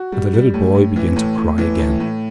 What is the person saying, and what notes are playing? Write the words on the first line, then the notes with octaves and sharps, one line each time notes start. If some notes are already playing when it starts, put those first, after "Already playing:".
And the little boy began to cry again.
Already playing: F#4
G3
G3
A2
A2
E3
A2
A2
E3
A2
A2